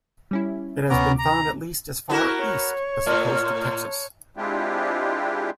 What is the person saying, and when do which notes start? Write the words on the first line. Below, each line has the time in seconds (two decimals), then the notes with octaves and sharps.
It has been found at least as far east as the coast of Texas.
0.31 G3 C#4 E4
0.90 D2 C3 B3 C#4 A#5 D6
1.19 A#5
2.09 B3 E4 F#4 A#4
2.45 C#5
3.06 A2
4.37 G#3 C4 D4 E4 F4 G4